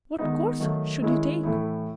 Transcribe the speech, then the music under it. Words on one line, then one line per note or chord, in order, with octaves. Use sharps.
What course should he take?
D#3 G#3 B3 D#4
D#3 F#3 A3
D#3 G#3 C#4 E4
A2 E3 A3 E4